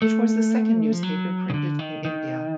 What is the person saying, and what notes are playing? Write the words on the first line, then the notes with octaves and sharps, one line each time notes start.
It was the second newspaper printed in India.
A3
F3
F#3
C#3
D3
D#3
D#3